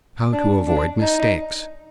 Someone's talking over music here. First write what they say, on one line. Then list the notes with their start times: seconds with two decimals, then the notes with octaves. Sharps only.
How to Avoid Mistakes.
0.33 D4
0.68 D4
1.02 D#4